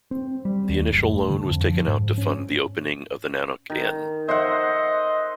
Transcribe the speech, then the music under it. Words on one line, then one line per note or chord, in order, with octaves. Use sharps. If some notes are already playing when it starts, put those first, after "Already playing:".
The initial loan was taken out to fund the opening of the Nanuq Inn.
C4
G3
D#2
F#1
A2
D3
F2
F3
G#2
C#4
D#3
C5 D#5 E5 F#5